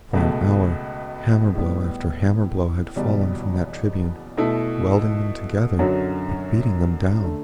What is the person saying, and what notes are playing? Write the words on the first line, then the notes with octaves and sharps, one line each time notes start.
For an hour hammer-blow after hammer-blow had fallen from that tribune, welding them together but beating them down.
C#2 B2 A3
A2 G3 B3
F#1 E2 B2 G3
B2 A3 E4 A4
F#2 D3 F#3 C#4 F#4
D3 A3